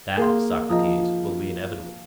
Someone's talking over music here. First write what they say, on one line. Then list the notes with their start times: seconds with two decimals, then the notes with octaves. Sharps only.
That, Socrates, will be inevitable.
0.17 A#3 G#4 F5 C6
0.70 F3 D#5 A#5 D#6